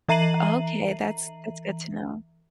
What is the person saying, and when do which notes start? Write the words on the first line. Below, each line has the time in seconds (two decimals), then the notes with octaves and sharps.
Okay, that's that's good to know.
0.09 E3 E5 A#5 C7 D#7 F#7